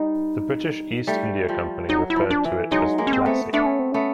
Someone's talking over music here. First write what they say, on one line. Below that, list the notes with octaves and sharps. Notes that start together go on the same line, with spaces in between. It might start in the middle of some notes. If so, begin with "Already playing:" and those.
The British East India Company referred to it as "Plassey".
Already playing: G3 D#4
G3 A3
F3 G3
F#3 D#4
E4
F3
D4
E3
F#3 G#3 D#4
G#3 A#3
C#4
C4
A3 B3
A3 B3 D4
C#4
C4
A3 B3 C#4